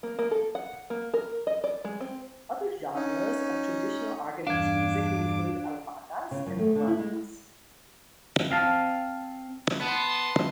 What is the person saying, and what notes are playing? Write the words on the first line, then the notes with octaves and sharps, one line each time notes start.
Other genres of traditional Aragonese music include albadas and rondas.
A#3
A#3
A4
F#5
A#3
A#4
D#5
D5
G#3
C4
C#4 D#4
E2 G2 D4 F5 D6 G#6
C#3
F#2
A3
D3
E4
G#3
C4 F5 A5
B3 A5 C6